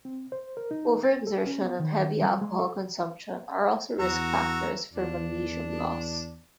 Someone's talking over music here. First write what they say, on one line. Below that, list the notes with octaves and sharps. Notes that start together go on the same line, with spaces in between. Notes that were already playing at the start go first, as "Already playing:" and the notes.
Over-exertion and heavy alcohol consumption are also risk factors for magnesium loss.
C4
C5
A#4
D#4
A6
A4
C#4
B3
D#3
G3
G#3
A4
E2 F#4 A#5 E6
E2 D4